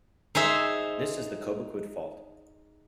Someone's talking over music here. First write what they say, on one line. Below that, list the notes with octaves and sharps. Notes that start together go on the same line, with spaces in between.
This is the Cobequid Fault.
D#4 G#4 C5 E5